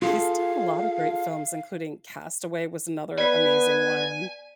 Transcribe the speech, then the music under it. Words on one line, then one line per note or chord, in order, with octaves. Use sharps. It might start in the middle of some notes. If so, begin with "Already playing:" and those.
He's done a lot of great films, including Castaway, was another amazing one,
F4 G#4 A4 F5
B3 B4 D5 G#5 B6